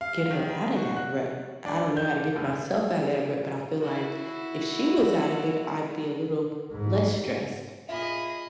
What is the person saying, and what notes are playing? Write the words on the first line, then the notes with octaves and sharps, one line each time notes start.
get her outta that rut. I don't know how to get myself out of that rut, but I feel like, if she was out of it, I'd be a little less stressed.
F5
D#3
F#4
F#6
D4
G6
F1
E4 F#4
G#2
A#2 F4 G#4 D#5 E5 B5